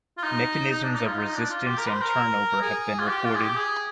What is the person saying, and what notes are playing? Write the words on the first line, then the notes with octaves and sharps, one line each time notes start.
Mechanisms of resistance and turnover have been reported.
F4
D#4
D#4
D4
D#4
F4
D#4
D4
F4
G4
A#4
C5
A#4
G#4
F4
G4
F4
G#4
G4
G#4